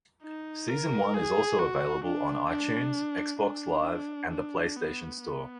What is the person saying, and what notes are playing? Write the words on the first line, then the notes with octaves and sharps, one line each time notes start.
Season one is also available on iTunes, Xbox Live, and the PlayStation Store.
D#4
A#4
G#4
F#4
D4
D4
D4
D4
B3
B3